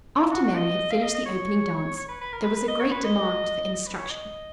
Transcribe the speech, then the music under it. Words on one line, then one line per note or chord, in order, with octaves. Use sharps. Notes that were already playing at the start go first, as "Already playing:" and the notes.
After Mary had finished the opening dance there was a great demand for instruction.
F4
F#4
F#4
D#5
F5
D#5
D#5
C#5
C#5
B4
B4
A#4
B4
B4
D#5
C#5
B4
D#5
D#5
B4
C#5
D#5